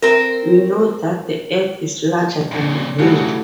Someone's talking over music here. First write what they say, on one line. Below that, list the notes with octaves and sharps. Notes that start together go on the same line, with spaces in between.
We know that the earth is larger than the moon.
C4 A#4
F2 A#2
A2 C#3 E3 F#3 G3